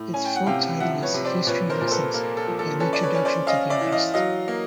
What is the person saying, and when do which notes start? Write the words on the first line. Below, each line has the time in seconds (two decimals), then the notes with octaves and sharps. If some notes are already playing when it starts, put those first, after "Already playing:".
Its full title is "History Lessens - An Introduction to the Artist".
Already playing: A2
0.14 C#4 G#5
0.25 G5
0.36 F#5
0.47 C3 F5 G5
0.80 F3 E5 F#5
1.02 B4 C#5
1.14 C3
1.25 C5 D5
1.47 A#2 B4 C#5
1.70 A#4 C5
1.81 A#2
1.87 C5
1.91 A4 B4
2.14 A#3 A4
2.37 A4
2.47 F3
2.59 A4
2.80 C#4 A4 B4
2.93 D5
3.03 B4 C#5
3.15 C#4
3.25 C5 D5
3.47 C#4 D#5 F5
3.70 D5 E5
3.81 E3 E5
3.92 D#5 F5
4.14 F#3 D#5 F5
4.48 A#3